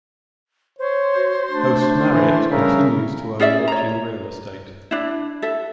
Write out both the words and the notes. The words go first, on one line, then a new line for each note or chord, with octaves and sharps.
Host Marriott continues to own lodging real estate.
C5 C#5
F#4
A3 D4
E3
C#3 G3 A#4 E5
C#4 G#4 D5 E5
C#5 A#5
D4 E4
A4 E5